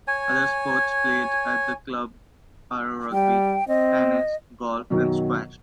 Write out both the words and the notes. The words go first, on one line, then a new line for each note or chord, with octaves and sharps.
Other sports played at the club are rugby, tennis, golf and squash.
C#5 G#5
G3 G5
C4 D#5
F#2 B2 D#3 F#3